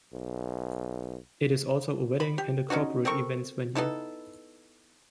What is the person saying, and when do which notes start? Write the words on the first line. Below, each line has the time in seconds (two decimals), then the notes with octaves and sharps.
It is also a wedding and corporate events venue.
0.13 B1
2.20 B5
2.38 G4
2.70 C#4 D#4 F4 F#4
3.05 C4 A4 A#4 C#6
3.75 B3 D#4 E4 A4